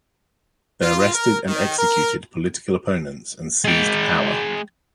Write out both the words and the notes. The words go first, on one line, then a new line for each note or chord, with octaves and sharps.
They arrested and executed political opponents and seized power.
F4
A#4
D#3
A#4
G#3 G5